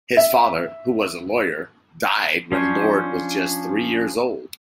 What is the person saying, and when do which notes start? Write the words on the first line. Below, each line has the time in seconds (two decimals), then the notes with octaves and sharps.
His father, who was a lawyer, died when Lord was just three years old.
0.17 E5
2.52 F3 C#4 D4 C5 C#5